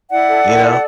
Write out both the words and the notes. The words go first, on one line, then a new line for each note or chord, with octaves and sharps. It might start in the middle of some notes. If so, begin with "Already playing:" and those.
you know,
E4 D5 F#5
A4
E4
A4